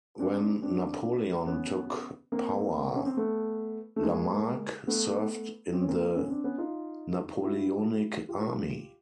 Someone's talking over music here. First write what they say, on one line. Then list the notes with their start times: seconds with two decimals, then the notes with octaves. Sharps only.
When Napoleon took power, Lamarque served in the Napoleonic army.
0.19 C4 D4
0.62 C4 D4
1.47 B3 C#4
2.32 A#3 C4
2.95 C#4
3.06 C4
3.17 A3 B3
3.96 A3
4.03 G#3 A#3
4.87 A3 B3
5.73 C4
5.82 C#4
5.88 A#3 C4
6.16 B3 C#4
6.29 C4 D4
6.44 B3 C#4
6.58 D#4 F4
7.43 E4 F#4
8.29 F4 G4